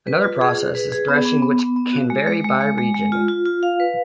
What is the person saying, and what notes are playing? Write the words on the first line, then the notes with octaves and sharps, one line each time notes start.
Another process is threshing which can vary by region.
B4
F4
G#4
G#4
B4
G#4
B3
B3
B3
B3
B3
F#4
G#3
G#3
G#3
G#3
G#3
G#3
F4
F4
F4
F5
B4